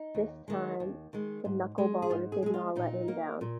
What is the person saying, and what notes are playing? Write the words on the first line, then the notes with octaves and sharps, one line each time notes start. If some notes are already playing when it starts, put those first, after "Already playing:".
This time, the knuckleballer did not let him down.
Already playing: D#4
D#2
D#3 G#3
D#2
D#3 G#3
G#2
G#3
G#4
G#2 F4
G#4
G#3 G#4
F4
A#2 D#4
A#3
A#2